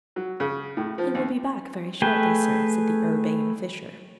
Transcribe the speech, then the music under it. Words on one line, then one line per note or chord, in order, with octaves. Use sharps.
"He will be back very shortly, sir," said the urbane Fisher.
F#3
C#3
A2
F3
D#2
A3 G#4 B4 G5